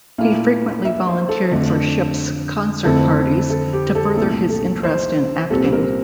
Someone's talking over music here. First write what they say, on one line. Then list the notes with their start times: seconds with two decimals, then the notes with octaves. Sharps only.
He frequently volunteered for ships' concert parties to further his interest in acting.
0.18 A#2 A3 E4 F5
0.85 E5
1.07 C5
1.29 A4
1.51 F2 D3 A3 D4
2.84 F2 D3 A3 C4 E4 A4
3.50 A4
3.73 G4
3.95 A4
4.17 C2 A#2 A3 A4
4.50 A4
4.83 C5
5.50 C2 A#2 G3 C4 A4
5.72 A#4